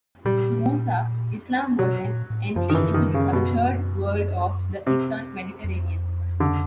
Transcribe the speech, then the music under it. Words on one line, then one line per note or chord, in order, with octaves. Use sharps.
To Musa, Islam was "an entry into the cultured world of the Eastern Mediterranean".
A#2 G3
B2 F#3
A#2
A2
F#2 F3
D#3
E3
D#3
C#3
B2
C3
F2
D3